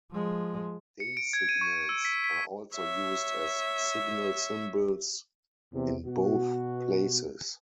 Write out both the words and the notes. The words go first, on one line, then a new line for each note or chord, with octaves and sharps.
Day signals are also used as signal symbols in both places.
F3 G#3
C#7
D7
G#6
D#7
C#6
E6
B6
B6
C#5 E5
E2 C3
B2 F#4